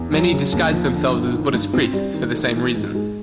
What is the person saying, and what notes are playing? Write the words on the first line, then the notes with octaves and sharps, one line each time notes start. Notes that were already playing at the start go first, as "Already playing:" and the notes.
Many disguised themselves as Buddhist priests for the same reason.
Already playing: E2
F#3
C#3
D#2
F3
D3
G1
D#3
G2
C4
G3
D#3
A3
E3
G#2
G#3